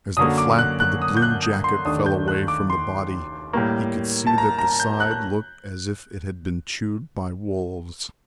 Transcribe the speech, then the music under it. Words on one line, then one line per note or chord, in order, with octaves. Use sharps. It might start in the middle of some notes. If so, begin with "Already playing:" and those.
As the flap of the blue jacket fell away from the body, he could see that the side looked as if it had been chewed by wolves.
F#2 D3 F#3 A#3 D#6
D6
F#6
F#6
D#6
G6
F#6
D#6
C6
D#2 D#3 A3 D4 D#6
G6
F#6
D6
C6
A2 G3 A#3
A5
A#5
A#5
G6
F#6
F#6